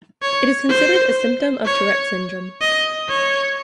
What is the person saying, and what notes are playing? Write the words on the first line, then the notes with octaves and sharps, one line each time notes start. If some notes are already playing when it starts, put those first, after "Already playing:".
It is considered a symptom of Tourette syndrome.
C#5
C5
C#5
D#5
C#5